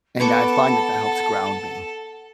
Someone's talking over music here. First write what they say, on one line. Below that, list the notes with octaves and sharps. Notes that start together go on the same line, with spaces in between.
And I find that that helps ground me.
B3 A4 F#5 A5 C#6 D6